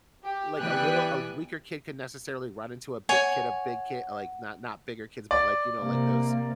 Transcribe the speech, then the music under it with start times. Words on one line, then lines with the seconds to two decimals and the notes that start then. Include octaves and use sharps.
like, a little a weaker kid can necessarily run into a big kid a big kid, like not not bigger kids, but, like, you know, like, those,
0.24 G4
0.58 E3 G3 B3 G5 G#5 F#6
3.09 C#5 F#5 G#5
5.31 D5
5.81 C3 A#3